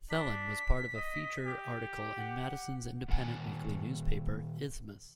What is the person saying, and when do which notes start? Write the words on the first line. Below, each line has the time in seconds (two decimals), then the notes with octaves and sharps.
Thelen was part of a feature article in Madison's independent weekly newspaper, "Isthmus".
0.10 D4 B6
0.96 D#5
1.46 G4
2.17 F#5
3.08 A#2 D#3 F#5 G#5